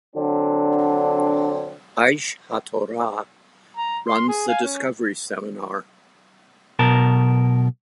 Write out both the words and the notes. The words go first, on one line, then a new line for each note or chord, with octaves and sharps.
Aish HaTorah runs the Discovery Seminar.
D3 F#3 C4 D4
A#5
C6
G#4
F5 G#5
C#4
B1 B2 A#4 A5